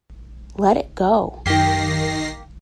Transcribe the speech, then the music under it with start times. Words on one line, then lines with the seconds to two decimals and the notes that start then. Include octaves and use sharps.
Let it go.
1.46 F#2 D#3 A#3 G4 A#6 C7